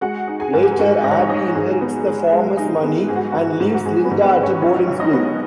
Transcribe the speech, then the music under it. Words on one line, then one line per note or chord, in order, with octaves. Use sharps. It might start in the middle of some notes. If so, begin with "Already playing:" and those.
Later, Abby inherits the farmer's money and leaves Linda at a boarding school.
G#3 F#4 F#5
D#4
G#4 G#5
G#2
G#5
G#2 F#4 F#5
G#2 D#5
C#5
D#4 D#5
D#4 D#5
G#2 G#4
B3
G#3
G#3
D#4
B3
G#2 G#4
F#4
G#2 F#4
G#2
F#4
G#2 G#4
B3 B4
G#2
B3 B4
G#2
C#4 C#5
B1 C#4 C#5
B1
D#4 D#5
B3